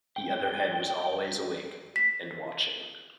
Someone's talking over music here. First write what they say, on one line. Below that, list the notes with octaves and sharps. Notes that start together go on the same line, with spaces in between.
The other head was always awake — and watching.
G5
B6